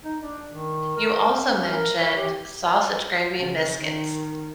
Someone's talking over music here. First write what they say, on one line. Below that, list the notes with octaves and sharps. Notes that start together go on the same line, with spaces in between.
You also mentioned, sausage gravy and biscuits.
D#4
D4
D#3
A#4
A#4
C4
C#4
A#4
C#5
G4
C#3
D#3